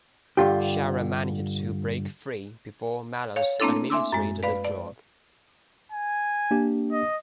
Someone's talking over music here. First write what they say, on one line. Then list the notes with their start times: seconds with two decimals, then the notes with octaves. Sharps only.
Sharon managed to break free before Malus administered the drug.
0.37 G2 D3 F4 G4
3.36 C#5 F5
3.60 A3 A#3 C4 D4 E4 A4
3.90 E5 G#5 C6 D6 E6
4.12 F#2 G#3
4.43 B4 D5 F5 B5
4.65 D5
5.92 G#5
6.51 A#3 D4 G4
6.92 D#5